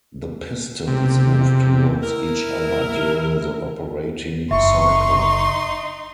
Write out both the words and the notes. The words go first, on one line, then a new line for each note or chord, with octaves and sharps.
The pistons moved towards each other during the operating cycle.
C3
E4 A#4
F#1 D#4 E5 C6 C#6